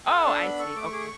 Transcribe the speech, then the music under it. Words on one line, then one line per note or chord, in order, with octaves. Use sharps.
oh, I see, okay.
A4 F#5
D4 A5
B3 B5
A4 C#6
A3 D6
C#6
G#4 D6
C#6